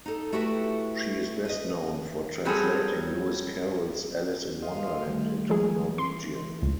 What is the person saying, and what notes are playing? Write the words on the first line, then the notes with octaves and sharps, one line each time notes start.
She is best known for translating Lewis Carroll's "Alice in Wonderland" into Norwegian.
D#4 A4
A3 E4 F#4 G4 A4 B4
B4 D#5
F#3 G3 C4 G#4 A4
D#5 F5 C6
D#3 G3 A3
F3 G#3 G#4
E3 C6
C#2